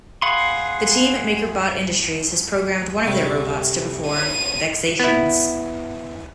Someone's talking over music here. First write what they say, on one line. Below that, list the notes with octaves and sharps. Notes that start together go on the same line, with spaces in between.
The team at MakerBot Industries has programmed one of their robots to perform "Vexations".
G#4 F5 F#5 B5 C6
C3 G3 A3
D#7
B3 E4